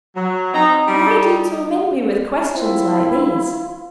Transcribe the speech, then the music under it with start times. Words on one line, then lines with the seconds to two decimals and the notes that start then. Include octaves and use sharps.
Why do you torment me with questions like these?
0.16 F#3
0.54 C4 D#4 A#5
0.88 G3 D#4
2.56 C4 E4 F4